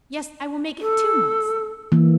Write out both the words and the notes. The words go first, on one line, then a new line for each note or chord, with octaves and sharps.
Yes, I will make it two months.
A4
E3 A#3